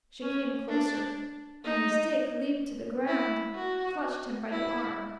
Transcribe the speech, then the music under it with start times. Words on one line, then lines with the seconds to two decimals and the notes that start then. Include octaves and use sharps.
She came closer, and, as Dick leaped to the ground, clutched him by the arm.
0.22 C#4
0.69 D4
1.64 D#4
3.07 E4
3.55 F#4
4.50 E4